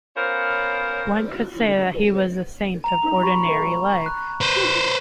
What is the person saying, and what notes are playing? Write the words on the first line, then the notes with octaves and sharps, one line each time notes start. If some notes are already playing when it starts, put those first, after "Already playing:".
One could say that he was the saint of ordinary life.
B3 C#4 F4 A#4 C5
A#5 F7
B5 C#6
F#6
B4 C5